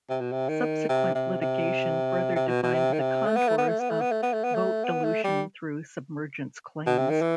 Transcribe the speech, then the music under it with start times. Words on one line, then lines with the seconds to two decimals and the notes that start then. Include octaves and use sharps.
Subsequent litigation further defined the contours of "vote dilution through submergence" claims.
0.10 C3
0.21 B2
0.32 C3
0.49 D#3
0.89 C3
1.15 C3
1.41 C3
2.36 C3
2.47 B2
2.63 B2
2.74 C3
2.93 D#3
3.00 C3
3.26 A3
3.36 B3
3.48 A3
3.58 B3
3.69 A3
3.80 B3
3.90 A3
4.01 B3
4.12 A3
4.22 B3
4.33 A3
4.44 B3
4.55 A3
4.84 B3
5.04 A3
5.24 G3
6.86 B2
6.98 C3
7.10 D#3
7.21 E3